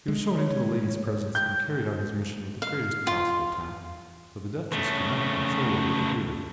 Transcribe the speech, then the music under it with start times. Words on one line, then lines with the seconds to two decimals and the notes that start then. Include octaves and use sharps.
He was shown into the lady's presence and carried out his mission with the greatest possible tact, but the Duchess could not control her fury.
0.08 G#3
0.34 C#5
1.35 G5 G6
2.62 F5
3.07 F4
4.73 C#3 A3